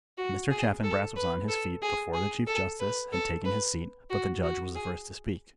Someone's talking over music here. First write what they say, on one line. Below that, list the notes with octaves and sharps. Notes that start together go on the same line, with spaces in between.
Mr. Chaffanbrass was on his feet before the Chief Justice had taken his seat, but the judge was the first to speak.
F#4
G#4
A4
B4
A4
G#4
G#4
A4
B4
A4
B4
F#4
F#4
G#4